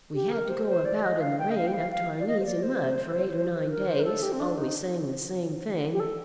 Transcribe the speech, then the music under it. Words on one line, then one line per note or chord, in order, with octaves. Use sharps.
We had to go about in the rain up to our knees in mud for eight or nine days, always saying the same thing.
G4
A#4
C5
C5
D5
D#5
F5
G5
D#5
F5
G5
F5
F5
D5
D#5
C5
D5
C5
A#4
C5
A#4
A4
G4
C4
D4
D#4
G4
A4